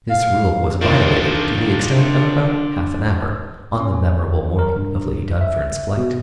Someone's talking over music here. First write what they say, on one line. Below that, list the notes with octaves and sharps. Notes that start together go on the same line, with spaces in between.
This rule was violated to the extent of about half an hour on the memorable morning of Lady Dunfern's flight.
F5
D#3 D4 F4 C5
C#4
A#4
G2
E5
B2